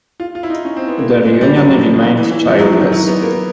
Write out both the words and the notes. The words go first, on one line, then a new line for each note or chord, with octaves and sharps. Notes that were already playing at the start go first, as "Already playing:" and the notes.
Their union remained childless.
F4
F4
E4
D#4
C#4
C4
B3
A#3
A#3
G#3
G3
F#3
F3
E3
E3
E3
F3
F#3
F3
D#3
F#3
B3
A#3